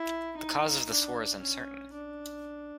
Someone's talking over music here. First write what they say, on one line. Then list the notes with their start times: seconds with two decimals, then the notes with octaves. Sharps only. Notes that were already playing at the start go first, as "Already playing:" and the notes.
The cause of this war is uncertain.
Already playing: E4
0.37 D#4
0.89 D4
1.41 C#4
1.93 D4